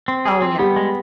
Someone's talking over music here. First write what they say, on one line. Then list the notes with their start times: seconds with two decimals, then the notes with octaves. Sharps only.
Oh, yeah.
0.08 C4
0.25 G#4
0.42 C4
0.59 G3 B3
0.76 G#3